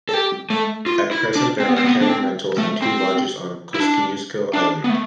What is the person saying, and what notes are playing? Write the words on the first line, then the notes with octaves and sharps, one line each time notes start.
At present there are cabin rentals and two lodges on Kosciusko Island.
A4
G4
A3
F4
E4
D4
C4
B3
C4
B3
D4
C4
A3
C4
E4
D4
D4
B3
A3